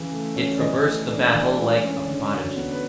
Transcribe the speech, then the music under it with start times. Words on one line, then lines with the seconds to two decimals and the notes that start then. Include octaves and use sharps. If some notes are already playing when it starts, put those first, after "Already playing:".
It traversed the battle like a prodigy.
Already playing: C#3 E3
0.11 A3
0.36 C#4
0.56 D5
0.60 E3 D#5
0.85 A3
1.10 D4
1.34 E3 D5
1.58 G#3
1.83 C#4
2.07 D3
2.32 F#3
2.56 B3
2.72 B4